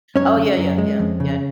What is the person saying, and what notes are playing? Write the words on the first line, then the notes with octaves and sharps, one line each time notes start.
Oh, yeah, yeah, yeah, yeah.
F#2 C#4 C#5
D3
F#2
G#3
F2
C#3